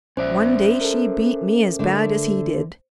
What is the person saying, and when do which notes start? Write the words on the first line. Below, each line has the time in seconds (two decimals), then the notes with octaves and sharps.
One day she beat me as bad as he did.
0.17 A#1 C#4 C5 D5 E5
0.81 A4 A#4
1.79 D3 A3